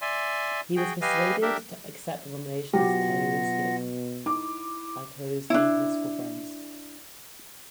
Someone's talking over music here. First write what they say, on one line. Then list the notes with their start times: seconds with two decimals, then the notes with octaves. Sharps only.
He was persuaded to accept the nomination as Taoiseach by close non-political friends.
0.01 D5 E5 G#5 C6
0.76 F#4 G#4 G5
1.02 G4 B4 D#5 F5 G#5
1.42 D4 G4 A#4 E5
2.74 B2 F#3 F4 G4 F#5 A#6
4.26 D#4 E4 D6
5.50 D4 E4